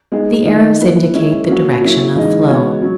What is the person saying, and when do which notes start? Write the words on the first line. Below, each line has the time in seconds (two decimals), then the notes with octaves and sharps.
The arrows indicate the direction of flow.
0.12 G#3 B3 D#4 G#4
0.45 D#3 A#3 D#4
0.80 A#3 E4 B4
1.13 G#3 C#4 E4
1.47 F#3 A#3 C#4 F#4
1.81 F#3 A#3 C#4 E4
2.15 C#3 E3 G#3 D#4
2.49 G#3 B3 F#4 C#5
2.82 F#3 C#4